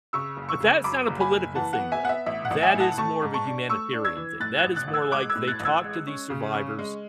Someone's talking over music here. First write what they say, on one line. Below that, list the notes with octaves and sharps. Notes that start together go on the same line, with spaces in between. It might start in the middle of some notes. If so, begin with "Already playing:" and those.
But that's not a political thing, though. That is more of a humanitarian thing. That is more like they talk to these survivors,
C#3 C#6 E6
F#1
C#6 E6
C#3
F#2 B5 D6
F#1
G#5 B5
F#1
E3 F#5 A5
F#5
B3
E5 G#5
B3 F#5
E5
A1 E5
F#5
A1
E5 G#5
A2
F#5 A5
A3 A5 C#6
G#2
A5 C#6
D4
A3 C#6 E6
D4
E6 G#6
E3
A2 F#6 A6
F#6 A6
A1
F#6 A6
A1
E6 G#6
G#3 D6 F#6
E6 G#6
A2
F#6 A6
A1
E6 G#6
G#3
C#4
C#3
C#4
G#3